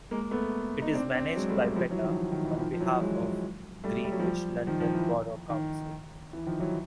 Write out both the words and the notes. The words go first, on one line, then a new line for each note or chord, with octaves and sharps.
It is managed by Better on behalf of Greenwich London Borough Council.
G#3 A#3
A3 B3
D#4
C4 D4
C4 D4
F#3 G#3
G3 A3
F3 G3
E3 F#3
D#3 F3
D#3
D#3
E3
D#3 F3
F3
E3 F#3
F#3 G#3
G3 A3
G3
F#3
F3 G3
D#3 F3
D#3 F3
E3
D#3
E3
D#3 F3
E3 F#3